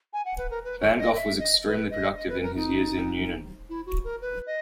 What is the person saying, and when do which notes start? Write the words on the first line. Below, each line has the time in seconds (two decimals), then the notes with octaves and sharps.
Van Gogh was extremely productive in his years in Nuenen.
0.13 G#5
0.25 F#5
0.38 B4
0.50 A#4
0.64 B4
0.81 C#5
0.98 D#5
1.15 E5
1.40 D#5
1.66 B4
1.91 D#5
2.17 D#5
2.29 B4
2.43 A#4
2.55 D#4
3.69 E4
3.86 F#4
4.04 A#4
4.21 B4
4.46 D#5